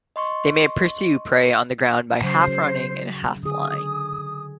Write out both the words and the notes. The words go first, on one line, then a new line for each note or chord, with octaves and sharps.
They may pursue prey on the ground by half running and half flying.
D#5 C6 C#6
C#3 F#3 C5
D3 G#4 D#6